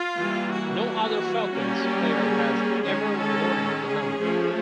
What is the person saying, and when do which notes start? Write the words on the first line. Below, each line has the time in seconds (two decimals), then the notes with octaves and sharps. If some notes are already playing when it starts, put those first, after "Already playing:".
No other Falcons player has ever worn the number.
Already playing: F4
0.18 E3 G3 A#3
0.52 F#4
1.51 G3 A#3 C#4
1.85 G4
2.18 G#4
2.85 D#3 G#3 C#4
3.18 A4
3.85 G#4
4.18 F3 A3 C#4